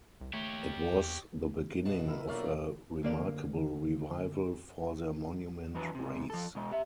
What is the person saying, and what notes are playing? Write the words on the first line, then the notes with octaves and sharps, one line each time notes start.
It was the beginning of a remarkable revival for the Monument race.
C2
A3 G4 C#5
E2
B2 A5
E4 A#4
B1 F#2 A#2 C#5 E5 F5
D2 A#3 D5
F2 E3 F#3 D4 B4
G#2 C3
F3 A4
B2 G#3 D#5
G4 E5